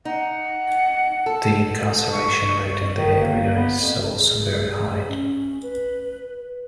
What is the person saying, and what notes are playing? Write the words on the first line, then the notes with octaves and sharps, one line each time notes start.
The incarceration rate in the area is also very high.
D#4 F#5
A4
C#6
D#3
A#3
B3
F2
G#4
C#4
B4